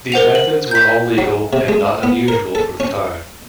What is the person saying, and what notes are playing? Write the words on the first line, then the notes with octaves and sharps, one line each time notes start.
These methods were all legal and not unusual for the time.
A#4 C5 F#5 F7
F#7
G6 B6
F#3
C3
G#3
B3
A#4
A4
C#4